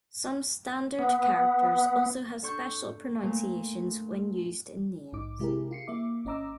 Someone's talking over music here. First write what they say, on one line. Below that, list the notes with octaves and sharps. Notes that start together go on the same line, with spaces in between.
Some standard characters also have special pronunciations when used in names.
B3
D4 A4 C#6 G6
A#2 A3
A#1 G#2 D#4 D6
C3 G#3 E4 G4 G#4 A#4
F4 C7 C#7
A#3 E5 D6
G#1 C#4 D#5 A#5 D6 E6